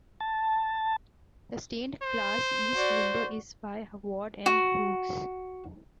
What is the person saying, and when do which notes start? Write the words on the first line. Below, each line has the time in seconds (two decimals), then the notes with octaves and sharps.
The stained glass east window is by Ward and Hughes.
0.20 A5
2.03 C5
2.75 F#4 D5
4.46 F#4